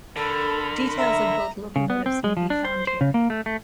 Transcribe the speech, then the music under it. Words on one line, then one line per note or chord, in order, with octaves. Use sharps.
Details of both locomotives may be found here.
D3 A4 A#4 B5
E5 A#5
C#3
B3
C4
G#3
F3
D4
C5
C5
C#3
A#3
A3
A3